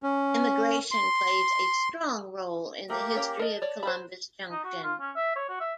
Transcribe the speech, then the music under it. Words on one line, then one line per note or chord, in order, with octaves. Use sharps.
Immigration plays a strong role in the history of Columbus Junction.
C#4
C6
A3 A#3 G4 A#4
C#4 G5 A#5
A#4 D#5 A5
C#5 D5
C5 B5
D#4
F#4
F4
C#4
E5
C#5
F#4
E5